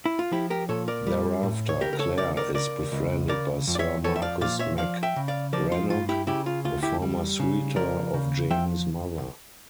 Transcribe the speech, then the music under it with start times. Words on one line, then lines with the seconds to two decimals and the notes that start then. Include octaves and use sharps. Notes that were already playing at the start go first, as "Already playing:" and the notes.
Thereafter Claire is befriended by Sir Marcus MacRannoch, a former suitor of Jamie's mother.
0.06 E4
0.19 F4
0.32 F3 E4 G4
0.50 G4 A#4
0.69 A#2 A4 C#5
0.88 A#4 D5
1.07 G3
1.43 A2
1.69 C#5
1.81 C#3 G4 A#4
1.93 A#4
1.99 A4 C#5
2.18 C#2 A#4 D5
2.37 A#4 D5
2.55 C#3 A#4 D5
2.92 C#2
3.29 C#3 A#4 D5
3.67 F2
3.75 D5
3.79 C#5 E5
4.04 F3 A4 C#5
4.16 E5
4.22 D5 F5
4.41 A#2 D5 F5
4.59 C#5 E5
4.78 F3 D5 F5
5.03 E5 G5
5.16 C#3
5.28 D5 F5
5.53 F3 A#4 D5
5.72 F4
5.90 G2 F4
6.09 E4 G4
6.27 C#3 E4 G4
6.46 F4
6.65 D2 F4
6.83 E4 G4
7.02 G3
7.40 C#3
7.76 F3 A#4 D5
8.14 C#3
8.50 F3 E5 G5